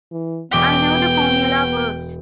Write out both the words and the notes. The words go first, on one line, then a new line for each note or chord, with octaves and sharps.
I knew the formula worked.
E3
E1 B3 G5 D6 B6